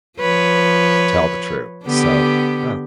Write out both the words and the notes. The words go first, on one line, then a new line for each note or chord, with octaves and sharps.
tell the truth? So, uh,
F3 B4 C#5
D3 B3 G4